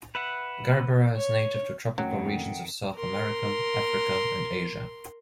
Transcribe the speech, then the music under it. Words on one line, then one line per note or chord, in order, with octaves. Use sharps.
"Gerbera" is native to tropical regions of South America, Africa and Asia.
B4 E5 F#5
C#5
F2 D#3 F#3 A3 C#4 F#5 G5
A#4 C6